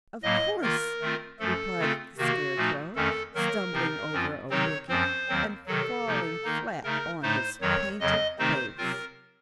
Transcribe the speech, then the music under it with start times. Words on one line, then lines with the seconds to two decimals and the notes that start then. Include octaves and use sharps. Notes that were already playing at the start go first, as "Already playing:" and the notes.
"Of course," replied the Scarecrow, stumbling over a wicket and falling flat on his painted face.
0.23 A2 F#3 A#3 D#5
0.62 D#3 A#3 F4 A#4
1.01 D#3 A3 C4 F4
1.39 F#2 F3 A3 A4
1.78 C#3 A3 C4 F4
2.17 C3 D#3 A#3 F#4
2.56 A#2 F3 A3 D#4
2.95 F2 D#3 A3 C#4 A4
3.35 D#3 F#3 A#3 A#4
3.72 C3 F3 C4 D#4
4.12 F#2 F3 C4 F4
4.50 C3 D#3 F#3 C4 D#4 C#5
4.89 F#2 F3 C4 C5
5.29 D#2 D#3 F#3 C4
5.67 C3 D#3 F#3 A4
6.06 C3 F3 A#3 D#4
6.44 D#3 A#3 D#4
6.83 C#3 A3 D#4 A#4
7.22 A2 A3 D#4 C5
7.61 F2 D#3 F#3 C#5
8.00 F2 C#3 F#3 D#5
8.39 C3 D#3 A3 C4 D#4 C5
8.78 C3 F#3 C4 F4 A#4